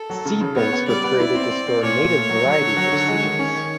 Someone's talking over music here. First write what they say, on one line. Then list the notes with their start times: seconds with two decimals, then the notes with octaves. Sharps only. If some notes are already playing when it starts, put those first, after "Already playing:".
Seed banks were created to store native varieties of seeds.
Already playing: A4
0.10 F#3
0.25 C#3
0.41 C#3
0.56 B3 C#5
0.73 B3
0.88 G3 D5
1.04 B3
1.20 E4
1.35 C4
1.50 C4
1.67 C4
1.83 A#2 C#5
1.98 A#2
2.14 A3
2.29 F#3
2.45 F#3
2.61 D3
2.77 F#3
2.92 D3
3.08 G#3
3.24 D#3
3.39 C#4
3.55 D#3